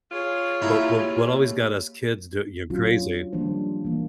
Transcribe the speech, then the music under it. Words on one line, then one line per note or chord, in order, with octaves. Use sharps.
but but what always got us kids d you crazy
F4 G#4 C#5
A#3 E4 G4 A#5
F#3 C#4 D4 F4 F#4
D#3 F3 G3 A#3 D4 C5
E3 A#3